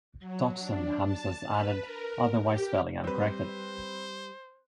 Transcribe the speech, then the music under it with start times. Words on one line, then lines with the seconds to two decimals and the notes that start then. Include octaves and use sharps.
Dots and hamzas added; otherwise, spelling uncorrected.
0.20 F#3
0.58 D4
1.05 A5
1.50 B4
1.82 A#4
2.41 G4
3.04 G3 C4 B4 C5